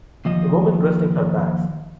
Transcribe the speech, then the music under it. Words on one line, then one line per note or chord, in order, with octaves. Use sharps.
A woman resting her bags.
D#2 F3 D#5